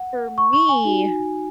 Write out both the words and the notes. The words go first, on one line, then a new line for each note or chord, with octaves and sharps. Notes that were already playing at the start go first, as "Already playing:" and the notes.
For me,
Already playing: F#5
C#6
C#6
G#5
D#4 F#4